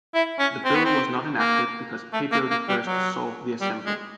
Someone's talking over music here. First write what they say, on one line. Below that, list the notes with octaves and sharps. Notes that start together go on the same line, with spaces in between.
The bill was not enacted because Pedro the First dissolved the Assembly.
E4
C#4
C4
B3
C4
A#3
A3
A#3
A#3
G3
F#3
G3
G#3